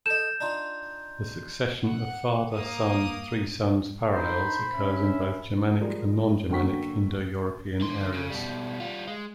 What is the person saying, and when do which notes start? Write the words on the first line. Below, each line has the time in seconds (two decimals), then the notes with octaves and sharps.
The succession of father-son-three sons parallels occurs in both Germanic and non-Germanic Indo-European areas.
0.06 A4 D#5 G6 E7
0.40 D4 D#4 F4
1.83 F#5
2.52 A#3 D#6
4.13 D#4 C5 B5
4.74 C#4 E5
5.81 F3 G3 G#3 A#4
6.49 D3 F#3 A#3 G5 C#6 B6
7.81 D3 C6
8.14 C#3
8.30 B2 G3
8.80 G3 F4
9.08 G#3